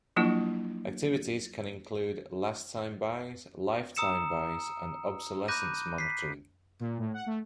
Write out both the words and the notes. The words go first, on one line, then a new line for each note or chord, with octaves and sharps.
Activities can include last-time buys, life-time buys, and obsolescence monitoring.
F3 F#3 A#3 D4 E4 F4
A#5 D#6 E6 C#7 E7
B5 D6 F#6 G6 A#6 D#7
B6 C7
A#2
A2
F#5
A3